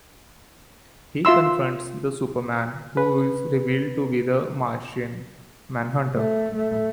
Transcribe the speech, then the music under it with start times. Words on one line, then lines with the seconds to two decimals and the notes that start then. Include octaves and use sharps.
He confronts the "Superman", who is revealed to be the Martian Manhunter.
1.25 F4 E5 C6 E6
2.97 B4
6.14 A3
6.55 A3